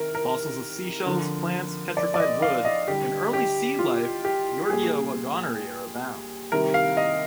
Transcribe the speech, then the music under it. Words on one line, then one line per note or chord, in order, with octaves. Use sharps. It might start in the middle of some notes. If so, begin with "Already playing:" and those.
Fossils of seashells, plants, petrified wood and early sea life Yorgia waggoneri are abound.
Already playing: C3 D#3 A#4
A#4
D3 F3
D5
D5
D#5
F5
D#5
D3 G3 G4
G4
F4
G4
A#2 G3 G#4
C3 D#3 G3 A#4
F5
D#5